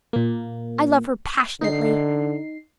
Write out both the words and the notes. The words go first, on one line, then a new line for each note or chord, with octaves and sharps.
I love her passionately.
A#2 A#3
D3 D#4 C7